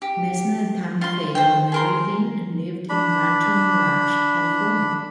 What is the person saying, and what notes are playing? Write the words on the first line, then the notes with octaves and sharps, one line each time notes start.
Messner and Tammy Faye were married in and lived in Rancho Mirage, California.
G4
F4 C6
C5 G5
G#4 A#4 C6
D4 B5